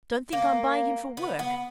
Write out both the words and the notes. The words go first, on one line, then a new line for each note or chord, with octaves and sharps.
Don't think I'm buying him for work.
A#3
B3
B3